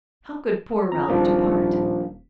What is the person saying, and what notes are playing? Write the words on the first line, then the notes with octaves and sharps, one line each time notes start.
How could poor Ralph depart?
F2 A#5
D#1 F3 A#3 D4